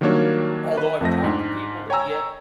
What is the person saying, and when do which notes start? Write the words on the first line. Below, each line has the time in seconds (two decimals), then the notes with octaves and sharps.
although I've talked to people that get
0.01 D#3 F#3 G3 A#3 D4 C#5
0.77 B4
1.01 F2 F3 A3 A#6
1.24 G#2 D4
1.90 C#5 G5 G#5 A#5 E6